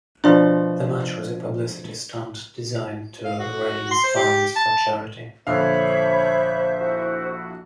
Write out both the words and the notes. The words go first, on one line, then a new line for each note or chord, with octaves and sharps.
The match was a publicity stunt designed to raise funds for charity.
B2 F3 D4 D5
F5
F#4
C6
C5
G4
A5
A#1 D3 C5 C#5 E5 F5 B5
E4 F#4